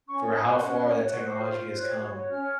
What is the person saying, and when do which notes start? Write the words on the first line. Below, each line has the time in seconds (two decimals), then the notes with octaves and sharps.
for how far that technology has come,
0.07 C#4 C#6
0.26 C5
0.35 D#6
0.44 F#4
0.63 C#4
0.82 C#5
1.01 F#4
1.19 C5
1.38 F4
1.57 C5
1.75 C#5 F#6
1.94 F#4
2.12 C#5
2.31 C#4 F6